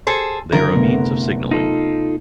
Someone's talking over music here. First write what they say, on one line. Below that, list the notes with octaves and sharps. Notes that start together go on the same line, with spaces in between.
They are a means of signaling.
G#4 A4 C5
F#1 D3 A#4
C3 A3 B3
D#4 F4 A4